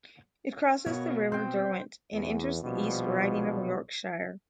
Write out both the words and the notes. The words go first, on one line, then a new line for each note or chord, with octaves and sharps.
It crosses the River Derwent and enters the East Riding of Yorkshire.
B2 B3 A#4 C#5 F5 G#6
C4 C5 G5
E2
A#1 B2 F3 G3